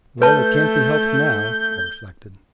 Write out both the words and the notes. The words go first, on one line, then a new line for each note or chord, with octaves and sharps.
"Well, it can't be helped now," I reflected.
A3 B4 A5 G6